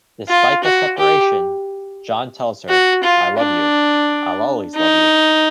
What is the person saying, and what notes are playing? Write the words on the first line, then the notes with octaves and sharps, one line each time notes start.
Despite the separation, John tells her, 'I love you, I'll always love you.
F4
F#4
G4
F#4
F4
D4
D#4